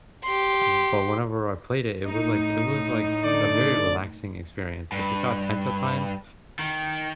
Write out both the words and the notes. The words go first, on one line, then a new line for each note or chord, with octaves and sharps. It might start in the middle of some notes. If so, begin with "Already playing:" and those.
but whenever I played it, it was like it was like a very relaxing experience. Like, it got tense at times,
G4 C6
A2 D#4
D3 D5
G2
D#3